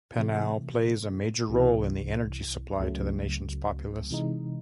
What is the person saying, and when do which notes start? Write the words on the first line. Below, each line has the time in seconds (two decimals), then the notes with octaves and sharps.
Penal plays a major role in the energy supply to the nation's populace.
0.17 C3 E3 A3
1.49 C2 C3 E3
2.80 C#2 C#3 F#3 A3
4.11 C3 E3 G#3 D#4